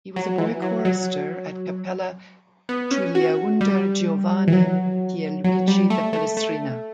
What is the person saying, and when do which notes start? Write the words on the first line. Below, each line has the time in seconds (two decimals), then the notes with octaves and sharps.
He was a boy chorister at Cappella Giuliaunder Giovanni Pierluigi da Palestrina.
0.16 F#3
0.38 E3
0.62 F#3
0.85 F#3
2.69 B3
2.91 C#4
3.15 F#4
3.61 G3
4.48 E3
4.53 F#3
5.44 F#3
5.68 G3
5.90 A3
6.13 A3
6.37 A3